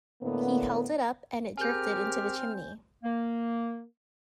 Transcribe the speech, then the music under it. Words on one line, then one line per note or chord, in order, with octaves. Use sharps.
He held it up, and it drifted into the chimney.
A2 D3 A#3 B3
C4 G4 G#4 A#4 G#5 F6 G6
A#3